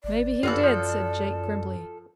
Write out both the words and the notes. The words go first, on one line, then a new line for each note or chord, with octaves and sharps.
"Maybe he did," said Jake grimly.
G#1 D5
G1 F#2 E3 F4 F#4 A4
F3